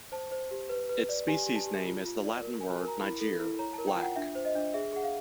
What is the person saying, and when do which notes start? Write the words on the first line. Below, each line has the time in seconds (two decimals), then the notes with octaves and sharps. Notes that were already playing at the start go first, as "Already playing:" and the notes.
Its species name is the Latin word "niger" "black".
0.12 C5 A5
0.32 C5
0.51 G4
0.69 B4
0.89 B4
1.09 D5
1.28 G4 G#5
1.46 G4
1.56 A5
1.66 G4
1.86 F4
2.05 F4
2.24 D5
2.42 A#4
2.61 F#4 G#5
2.74 A5
2.81 A#4
2.88 A#5
3.01 E4 B5
3.20 A4
3.39 E4
3.59 C#5 A#5
3.73 A#4 A5
3.87 G5
3.97 F4
4.02 F#5
4.16 D4 E5
4.35 C5
4.45 D#5
4.55 D4
4.74 G#4 E5
4.93 G#4 F#5
5.04 F5